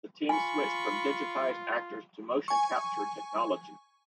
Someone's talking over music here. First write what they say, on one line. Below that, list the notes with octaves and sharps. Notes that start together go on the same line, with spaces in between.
The team switched from digitized actors to motion capture technology.
F4 G#5 B5 C#6
G#5 C#6